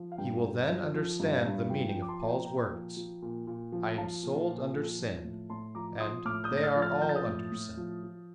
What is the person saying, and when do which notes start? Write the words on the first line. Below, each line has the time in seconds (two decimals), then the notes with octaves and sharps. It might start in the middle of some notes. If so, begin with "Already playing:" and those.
He will then understand the meaning of Paul's words: "I am sold under sin"; and "they are all under sin."
Already playing: F3
0.12 F5
0.18 G2 G5
0.44 G2
0.69 F3
0.94 F3
1.20 G2
1.45 G2
1.70 F3 G5
1.89 G5
1.95 F3
2.02 D6
2.08 A5 C6
2.21 A#2 A5
2.27 G5 A#5
2.46 A#2 G5 A#5
2.72 F3
2.97 F3
3.22 A#2
3.47 A#2
3.72 F3
3.98 F3 F5 A5
4.23 A#2
4.48 A#2
4.73 F3
4.99 F3
5.24 A2
5.49 A2 A5 C6
5.75 F3 A#5 D6
6.00 F3 C6 D#6
6.25 A2 D6 F6
6.44 D#6 G6
6.51 A2
6.57 A#6
6.63 F6 A6
6.76 F3
6.82 F6 A6
7.01 F3 G6
7.09 A6
7.16 D#6 G6
7.27 A2
7.52 A2
7.77 F3
8.03 F3